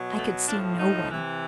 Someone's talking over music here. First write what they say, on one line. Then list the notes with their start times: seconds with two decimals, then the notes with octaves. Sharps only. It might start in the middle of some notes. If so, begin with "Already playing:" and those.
"I could see no one."
Already playing: B2 F#3
0.17 A3
0.48 A2 F3 D4
0.79 D#4
1.11 C3 E3